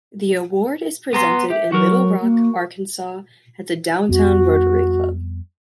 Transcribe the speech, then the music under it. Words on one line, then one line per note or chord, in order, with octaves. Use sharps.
The award is presented in Little Rock, Arkansas at the Downtown Rotary Club.
B3 A#5 C6
G4 E5
F#3 F#4 A#4
A#3
F2 G3 B3 F#4